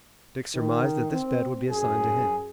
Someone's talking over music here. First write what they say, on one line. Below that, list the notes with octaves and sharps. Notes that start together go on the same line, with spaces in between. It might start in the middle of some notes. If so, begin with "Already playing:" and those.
Dick surmised that this bed would be assigned to him.
D#3
C4
F#2 G#4